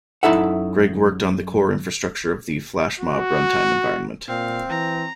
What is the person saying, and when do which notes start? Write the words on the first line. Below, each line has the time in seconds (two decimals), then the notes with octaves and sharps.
Greg worked on the core infrastructure of the FlashMob run time environment.
0.23 F#2 D#4 E4 A4 E5 F#5
3.00 F#4
4.29 A#2 C4 F5
4.70 E3 A#5